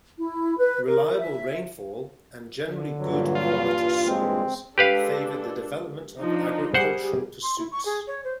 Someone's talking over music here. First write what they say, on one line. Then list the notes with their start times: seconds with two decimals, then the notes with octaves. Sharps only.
Reliable rainfall and generally good quality soils favoured the development of agricultural pursuits.
0.19 E4
0.57 B4
0.86 A#4
1.18 E5
2.64 D3
3.00 G2 A#2 E3 F#3
3.35 F4
4.07 G#3 C4
4.78 G#3 D4 G4 A4 B4 F5
6.20 F3 D4 D#4
6.74 G3 G4 G#4 C5 F#5
7.43 C6
7.59 E4
7.72 C#6
7.86 G#4
8.07 C#5
8.24 C5